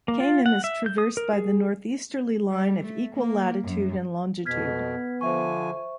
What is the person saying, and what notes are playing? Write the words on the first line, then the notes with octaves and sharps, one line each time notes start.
Kanem is traversed by the northeasterly line of equal latitude and longitude.
A#3
F4
F#5
E5
G6
D#6
A#4
G#4
G3
A3
A#3
F#2
F2 B2 B3 F6 G#6 B6
D3 F3 C5 E5 G#5 C#6